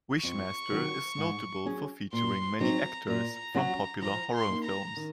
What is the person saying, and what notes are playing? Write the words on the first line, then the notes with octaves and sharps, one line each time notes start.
"Wishmaster" is notable for featuring many actors from popular horror films.
F2 C#6
D#3 F#3 C#4 F#4
G#2
F#3 C#4 G#4
A#2 C6
F#3 C4 D#4 A#5
A#2 A#5
F#3 C#4 F#4 A#5
F3 A#5
C6
A#3 D#4
A#5
D#3